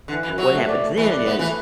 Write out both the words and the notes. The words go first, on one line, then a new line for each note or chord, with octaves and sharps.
What happens then is-
D3 E3
F#2 E3
F#3 F#4
A3
D5
A3
E3 A3
D5
A3 B3
E3 A3